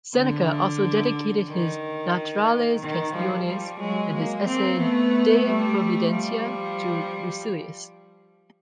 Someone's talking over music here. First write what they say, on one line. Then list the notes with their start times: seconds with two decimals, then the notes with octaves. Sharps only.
Seneca also dedicated his "Naturales Quaestiones" and his essay "De Providentia" to Lucilius.
0.15 D3
1.48 D#3
2.80 D#3
3.13 F3 G3
3.46 F3 G3
3.79 F#3 G#3
4.13 G#3 A#3
4.46 A#3 C4
4.78 A3 B3
5.45 G3 A3
6.11 F3 G3